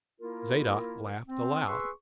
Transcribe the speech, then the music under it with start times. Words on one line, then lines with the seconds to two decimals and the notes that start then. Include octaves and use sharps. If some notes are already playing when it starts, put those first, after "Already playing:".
Zadok laughed aloud.
0.21 A#3 E4 F4 A#4
1.27 C4
1.67 G#4 B4 C6 C#6 E6